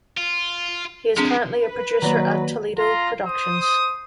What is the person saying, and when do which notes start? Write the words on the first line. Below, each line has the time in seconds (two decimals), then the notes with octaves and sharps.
He is currently a producer at Toledo Productions.
0.17 F4
1.17 F3 G#3 C4 D4 G#4
1.60 B4
2.02 D#3 F#3 A#3 F#4 D5 A#5
2.77 F4 A#5 C6
3.24 C5 D#6